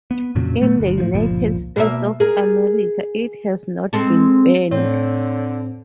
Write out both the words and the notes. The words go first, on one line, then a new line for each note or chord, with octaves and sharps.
In the United States of America, it has not been banned.
B3
F2 A#2 C#3 F#3
A#2 F#3 A3 B3
G1 D2
A2 D#3 F3
G1 C#2 A#2 F3
B2 A#3 E5
G#4 A#4
G#3 C4 A4
A2 D3 C4 C#5